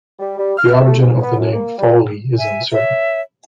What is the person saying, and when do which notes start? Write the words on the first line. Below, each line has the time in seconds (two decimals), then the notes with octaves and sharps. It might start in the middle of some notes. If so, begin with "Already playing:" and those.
The origin of the name "Fawley" is uncertain.
0.19 G3
0.38 G3
0.57 F6
0.72 E5
0.85 A3
1.00 G#2
1.22 B3
1.37 F#2
1.52 A#3
1.77 G3
2.38 E5 G#5
2.72 C#5 E5